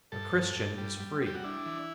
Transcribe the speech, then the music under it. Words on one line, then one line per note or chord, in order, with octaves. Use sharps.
A Christian is free.
G2 A4
G2
G2
G3
G3
G3 G4
F#4
D4 E4
E3